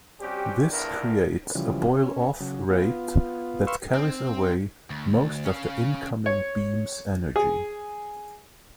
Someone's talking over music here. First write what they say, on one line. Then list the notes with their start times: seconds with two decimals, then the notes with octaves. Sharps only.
This creates a boil-off rate that carries away most of the incoming beam's energy.
0.20 G3 C4 C#4 F#4 G4
0.70 A#1 E2 A2 A3 D4 A#4
1.55 C#3 E3 F3 G3
1.95 C#4
2.40 C#3 F#3
2.70 B3 F4
3.67 B4 F5 C6 C#6 E6
3.95 C4
4.90 D2
5.45 C#4 F5
6.26 C#5
7.36 G#4